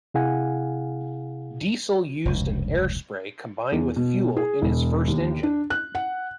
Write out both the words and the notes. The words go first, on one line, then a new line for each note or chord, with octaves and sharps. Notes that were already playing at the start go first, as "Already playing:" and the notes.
Diesel used an air spray combined with fuel in his first engine.
C3 E4 G#4 F5 F#5 G#5
F1 C#2 G2
E2
B2
G#4
E1
D#2
D4
F#6
F#5